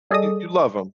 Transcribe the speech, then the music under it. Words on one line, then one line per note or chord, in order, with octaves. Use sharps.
You you love him.
G3 G#4 A4 D5 D#5 D#6